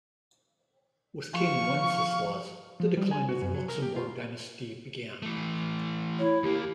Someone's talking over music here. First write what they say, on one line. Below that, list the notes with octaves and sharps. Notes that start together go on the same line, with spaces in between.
With King Wenceslaus, the decline of the Luxembourg dynasty began.
F3 F5 C#6
F3
G3
G#5
F#4
F#2
F#3
A#4
G4
F4
E3 A3
E4 C#5
D#2 A#3 G4